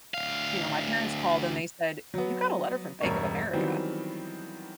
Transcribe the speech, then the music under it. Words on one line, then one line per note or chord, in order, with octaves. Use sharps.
you know, my parents called and they said, "You got a letter from Bank of America."
D2 F5
F#3 B3
E1 G2 A#4 C#5
D#3 E3 F#3 G3 B3 C4